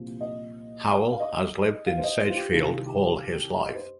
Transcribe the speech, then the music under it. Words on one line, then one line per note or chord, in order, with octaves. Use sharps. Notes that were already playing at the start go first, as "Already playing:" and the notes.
Howell has lived in Sedgefield all his life.
Already playing: C2 A#2 F3
D#5
F5
D#5
F5
C5
D#5
C5
F4
G4
C2 C3 D#3 F4
G4
D#5
C5